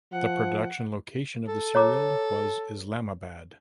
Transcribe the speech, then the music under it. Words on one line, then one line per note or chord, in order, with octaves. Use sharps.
The production location of the serial was Islamabad.
F3 F#5
A4
C#5 A#5 D6